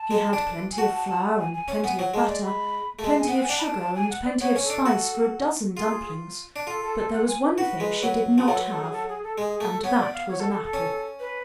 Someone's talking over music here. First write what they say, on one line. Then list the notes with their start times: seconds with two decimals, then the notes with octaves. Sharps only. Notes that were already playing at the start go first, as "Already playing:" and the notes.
She had plenty of flour and plenty of butter, plenty of sugar and plenty of spice for a dozen dumplings, but there was one thing she did not have; and that was an apple.
Already playing: A5
0.11 G#3
0.33 D4
0.72 G#5
0.78 F#4 A5
0.93 A5
1.08 A5
1.38 G#5
1.54 G#5
1.68 C#4
1.84 B3
1.99 F#3
2.14 G#3 A5
2.29 D5
2.45 B5
2.99 A3
3.04 G#3 A5
3.20 G#5
3.28 B3
3.34 F#5
3.42 G#5
3.49 D4 F#5
3.59 B5
3.64 A5
3.80 A5
3.95 G#5
4.10 F#5
4.25 D5
4.41 B3 C#5
4.56 C#4
4.63 A4
4.70 D4
4.86 F#4
5.76 F4 G#4
6.56 D4
6.67 F4 A4
6.82 A4
6.97 A4
7.12 F#5
7.27 G#5
7.43 B4
7.57 F#4 B4
7.80 G#3
8.03 F#3
8.38 F3 G#4
8.48 F#3 A4
8.58 B4
8.70 A4
8.82 G#4
8.93 A4
9.09 G#4
9.23 A4
9.38 G#3 G#4
9.53 G#4
9.60 A3
9.69 A4
9.83 B3 C#5
9.99 D5
10.14 F5
10.29 C#5
10.40 A4
10.51 A4
10.63 A4
10.73 C#4
11.20 B4